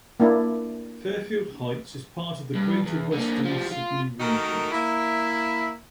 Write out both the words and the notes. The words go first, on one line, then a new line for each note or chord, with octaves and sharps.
Fairfield Heights is part of the Greater Western Sydney region.
A#3 D4 E4
G2
E2
D3 A#3
F3 G3
F4
D#3 A3 D#4 F#4 A#4
A#3 E4 E5